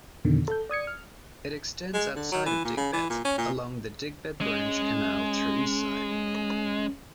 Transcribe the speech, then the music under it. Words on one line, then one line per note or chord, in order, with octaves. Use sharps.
It extends outside of Digbeth, along the Digbeth Branch Canal through Eastside.
F2 B2 D3 D#3
A4 G6
D5 D#6 G#6 C#7
F6
G#3
D3
F#3
E3
A#2
C#3
E3
A#2
C#4
A#2
G#3 C#4